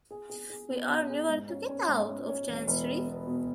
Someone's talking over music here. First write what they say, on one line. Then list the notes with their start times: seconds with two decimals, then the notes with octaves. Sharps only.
We are never to get out of Chancery!
0.11 G#4
0.30 G#4
0.50 G#4
0.70 B3
0.90 B2
1.09 G#4
1.30 G#2
1.49 C#4
1.69 C#4
1.88 G#2
2.08 C#4
2.29 C#4
2.48 E1
2.67 E1
2.87 B3
3.08 B3
3.27 B2